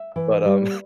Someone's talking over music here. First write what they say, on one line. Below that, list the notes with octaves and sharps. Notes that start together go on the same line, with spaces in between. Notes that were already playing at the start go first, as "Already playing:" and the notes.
but, um,
Already playing: E5
E3
G3